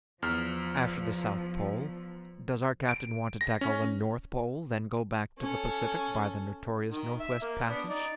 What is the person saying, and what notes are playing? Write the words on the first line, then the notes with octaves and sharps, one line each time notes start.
"After the South Pole, does our captain want to tackle the North Pole, then go back to the Pacific by the notorious Northwest Passage?"
E2 F3 F6
D7
A#6
C#4
C#4 A4
D#3
E5
A#3
B3 D4
D#4 D5